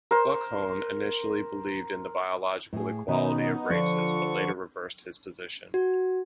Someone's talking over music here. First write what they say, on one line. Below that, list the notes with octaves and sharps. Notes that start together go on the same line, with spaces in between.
Kluckhohn initially believed in the biological equality of races but later reversed his position.
A#4 C5
A2 G#4
B2 D#3 B3 C#4 D#4
D3 F3 C5 D5 C#6
F#4